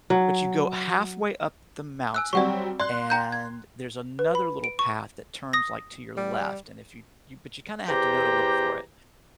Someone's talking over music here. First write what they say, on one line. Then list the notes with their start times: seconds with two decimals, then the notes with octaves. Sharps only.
but you go halfway up the mountain, and there's another little path that turns, like, to your left, and if you you but you kinda have to know to look for it.
0.10 F#3
2.14 G#5 E6 F#6
2.33 F#3 G3 C4 D5 F#5 C#6
2.80 D5 C6 F#6
3.10 G5 A#5 G6
3.32 G#6
4.19 B4
4.35 B5
4.64 D7
4.79 C#6
5.53 D#6 A#6
6.17 G3
7.88 E2 G4 C5 G5 A#5 D6